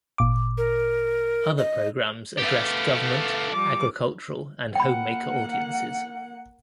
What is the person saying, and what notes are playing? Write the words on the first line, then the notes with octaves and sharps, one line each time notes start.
Other programs addressed government, agricultural, and homemaker audiences.
G#1 A#2 D6
A#4
D#5
A3 B3 G4 F5
F3 G3 D6
A#3 F#5 G5 B5